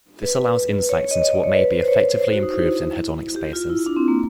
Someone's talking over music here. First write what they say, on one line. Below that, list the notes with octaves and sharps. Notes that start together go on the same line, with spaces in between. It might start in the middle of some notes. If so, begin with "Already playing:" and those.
This allows 'insights into what may be effectively improved in hedonic spaces.
B4
C#5
D#5
D#5
D5
C#5
B4
C5
C#5
C#5
C5
C5
F#4
D#4
E4
G4
F4
E4
D4
C4
A#3